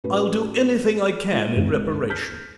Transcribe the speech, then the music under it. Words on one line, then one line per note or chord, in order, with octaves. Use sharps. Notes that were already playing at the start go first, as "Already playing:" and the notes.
I'll do anything I can in reparation.'
A2 C#4 F#4 B4
G#3 F4
G#1 C#2
F6 G6 B6